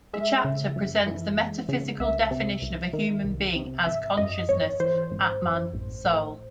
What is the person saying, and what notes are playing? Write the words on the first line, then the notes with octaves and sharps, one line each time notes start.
The chapter presents the metaphysical definition of a human being as Consciousness, Atman, Soul.
G#3 E5
C#3
F#2
E3
G#3
C#3
C2 E5
C3
C2
D#3
C2
C3
G#1 E5
F#2 D#5
G#1 C#5
E3 C5
G#1
F#2
A1
A2